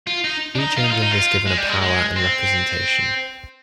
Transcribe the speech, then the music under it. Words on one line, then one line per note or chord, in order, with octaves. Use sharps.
Each angel was given a power and representation.
F4
D#4
D4
D#4
F4
D#4
F4
D#4
F4
G#3
G3
G#3
G#3
C4